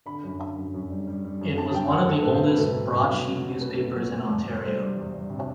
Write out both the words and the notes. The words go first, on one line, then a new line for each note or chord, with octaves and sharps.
It was one of the oldest broadsheet newspapers in Ontario.
D3 B5
F#2
D3
F#2
F#2
G3
G3
G3
F#2
D3 A5
F#2 G5
F#2 F#5
A3 A4
B2 B4
C5
A3 B4
C2 A4
C2
B2
F#3
F#3
A3
A3 B4
B2
F#3
C3
E2
E2
G3 C5
G3
E2
E2
C3